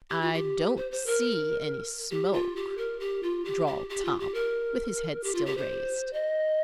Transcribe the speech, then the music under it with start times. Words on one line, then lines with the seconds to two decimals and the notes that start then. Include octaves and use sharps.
"I, don't, see, any, smoke," drawled Tom, with his head still raised.
0.10 G4
0.21 F4
0.33 G4
0.76 C5
0.91 C5
1.06 A#4
2.11 G4
2.33 F4
2.56 G4
2.77 A#4
3.00 G4
3.23 F4
3.45 G4
3.67 G4
3.89 G4
4.05 F4
4.19 G4
4.34 A#4
5.23 G4
5.35 F4
5.46 G4
5.57 C5
6.13 D#5